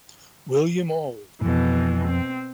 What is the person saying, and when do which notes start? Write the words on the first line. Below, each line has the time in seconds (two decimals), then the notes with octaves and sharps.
William Auld.
1.41 F2 G#2 B2 E3
2.06 C4